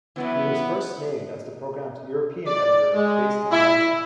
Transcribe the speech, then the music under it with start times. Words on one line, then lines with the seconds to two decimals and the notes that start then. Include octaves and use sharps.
He was first named as the program's European editor based in London.
0.16 E3 F#3 B3 E4
2.46 D5
2.94 G#3
3.52 E4